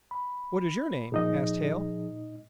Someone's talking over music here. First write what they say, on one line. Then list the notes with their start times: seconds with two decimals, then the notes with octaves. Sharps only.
"What is your name?" asked Hale.
0.11 B5
1.12 A#2 F3 D#4 G#4 D#5